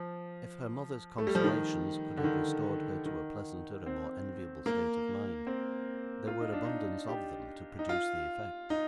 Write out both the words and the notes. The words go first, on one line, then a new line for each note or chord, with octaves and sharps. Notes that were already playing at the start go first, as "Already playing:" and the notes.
If her mother's consolations could have restored her to a pleasanter and more enviable state of mind, there were abundance of them to produce the effect.
Already playing: F3
A3
G3
F3
D#3
D3
D#3
D#3
C4
A#3
C4
F4
D#4
D4
D#4
G4
D#4
F4
D#4